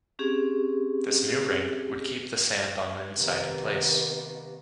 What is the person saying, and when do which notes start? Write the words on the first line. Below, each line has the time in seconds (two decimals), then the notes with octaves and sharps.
This new ring would keep the sand on the inside in place.
0.19 C4 C#4 G4 G#4
3.17 C3 D#3 G3 A#3 B3